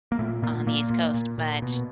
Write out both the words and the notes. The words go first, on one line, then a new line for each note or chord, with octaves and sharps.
on the East Coast, but
A#3
A#2 A3
A#2 A#3
A#2 A#3
A#2
A#2
A#2
B2